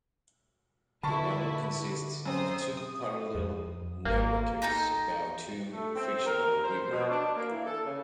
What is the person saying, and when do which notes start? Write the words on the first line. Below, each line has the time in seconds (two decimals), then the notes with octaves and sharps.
The novel consists of two parallel narratives about two fictional women.
1.03 D3 E4 B4 A5 C#6
2.26 F#2 C4 C5 D#6
2.77 D#6
3.35 F2
4.05 G#1 A#3
4.62 D#4 A4 G5 A#5
5.73 A3
5.96 C4
6.26 A#4
6.64 C5
6.91 B2
7.11 D4
7.36 A#3
7.51 E3
7.67 A4
7.86 C#3